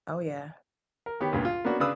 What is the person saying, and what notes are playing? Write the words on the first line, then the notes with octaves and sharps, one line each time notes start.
Oh, yeah.
A#4
D#3 B3 G4 C#5
C#2 G2 A#2
F4
A#3 B3 C#4 D4 F#4
C#3 D4 B4 F5 D#6 E6